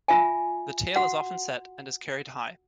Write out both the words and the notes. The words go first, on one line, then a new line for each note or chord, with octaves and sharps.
The tail is often set and is carried high.
F4 E5 G#5
F#4 F#5